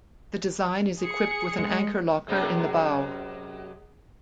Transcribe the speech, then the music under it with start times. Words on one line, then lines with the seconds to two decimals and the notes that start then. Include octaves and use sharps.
The design is equipped with an anchor locker in the bow.
1.02 G#4 C#7
1.59 G#3
2.28 F#2 C3 G#3